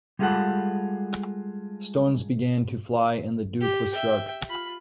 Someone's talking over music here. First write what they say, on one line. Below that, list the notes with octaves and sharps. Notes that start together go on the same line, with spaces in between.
Stones began to fly and the Duke was struck.
G3 G#3 F4 G4 A4 F#5
G4
E5 G5
F4 B5